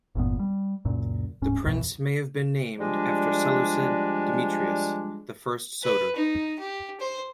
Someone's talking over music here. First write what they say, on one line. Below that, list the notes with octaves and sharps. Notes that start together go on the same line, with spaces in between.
The prince may have been named after the Seleucid Demetrius the First Soter.
G1 E2 A#2 B3
G3
C#2 F#2 A#2
D1 G#2 C#4
B1 F2 B2 E3
F3 G3 G#3 D4
B4
D#4
G4
C5